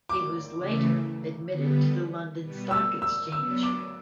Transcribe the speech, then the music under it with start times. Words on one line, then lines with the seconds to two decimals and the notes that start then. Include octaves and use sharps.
He was later admitted to the London Stock Exchange.
0.09 D6
0.55 C#3 E3 A3
1.48 D3 G3 B3
2.40 B2 G3 B3
2.71 E6
3.02 E6
3.32 F#3 B3 D4 E6
3.63 D6